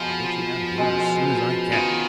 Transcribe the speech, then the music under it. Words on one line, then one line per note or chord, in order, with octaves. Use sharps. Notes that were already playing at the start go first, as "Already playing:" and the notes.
I'll get you out of here as soon as I can.
Already playing: B2 F3 G#3 B3 F4
B2 G#3 C#4 G#4
D#3 F3 B3 F4 G#4